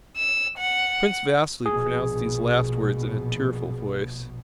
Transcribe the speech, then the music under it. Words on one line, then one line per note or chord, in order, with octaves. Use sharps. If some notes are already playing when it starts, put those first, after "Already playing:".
Prince Vasili pronounced these last words in a tearful voice.
E6
F#5
A#1 B2 G#4